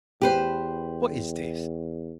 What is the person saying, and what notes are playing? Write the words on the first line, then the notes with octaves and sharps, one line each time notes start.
What is this?
E2 G4 B4 C5